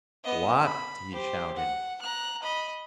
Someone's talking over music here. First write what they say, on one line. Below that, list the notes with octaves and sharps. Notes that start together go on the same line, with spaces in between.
"WHAT!" he shouted.
B3 D#5
B5
G4 C5
F#5
A#5 F#6
D#5 B5